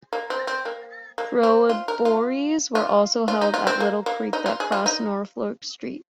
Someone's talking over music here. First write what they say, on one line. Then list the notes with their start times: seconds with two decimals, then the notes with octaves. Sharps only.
Corroborees were also held at a little creek that crossed Norfolk Street.
0.13 A#3
0.30 C4
0.47 C4
0.65 A#3
1.18 A#3
1.43 C4
1.69 F4
1.88 A#4
2.05 F4
2.75 F4
3.28 F4
3.41 D#4
3.54 F4
3.67 C4
3.80 A#3
4.06 A#3
4.33 D#4
4.46 F4
4.60 G#4
4.72 F4
4.86 D#4